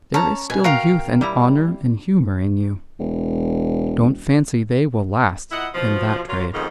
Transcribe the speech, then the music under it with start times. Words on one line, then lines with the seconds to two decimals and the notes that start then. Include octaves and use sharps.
There is still youth and honour and humour in you; don't fancy they will last in that trade.
0.14 C#4 A5 A#5
0.50 B2 G#5
0.64 F#4 A#4 F5 G5
1.21 G3 E4 A#5
3.00 E1
5.51 A#2 E4 D#5 F#5
5.74 B2 F3
6.28 F#3 A#3 F4
6.53 F2 G#2 B2 D#3 F3